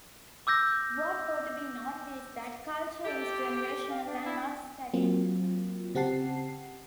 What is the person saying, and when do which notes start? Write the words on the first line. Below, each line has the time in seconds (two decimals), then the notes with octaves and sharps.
What ought to be noted is that culture is generational and not static.
0.47 D6 E6 G6 A#6
3.05 G4 A4
3.90 F5
4.05 D4
4.25 E4
4.94 F#3 A#3 C4 F4
5.95 C#3 C4 G4 F#5 A5 C7